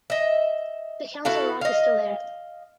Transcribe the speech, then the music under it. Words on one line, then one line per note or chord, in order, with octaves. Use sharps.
The Council Rock is still there.
D#5 E5
E4 F#4 A4 F5
D#5 F5